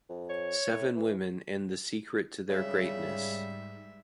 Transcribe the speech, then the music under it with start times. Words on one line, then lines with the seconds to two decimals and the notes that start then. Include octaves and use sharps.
Seven Women And The Secret To Their Greatness.
0.10 F2
0.30 C#5
0.68 A2
0.96 E3
2.49 G#2 C#3 G3 E5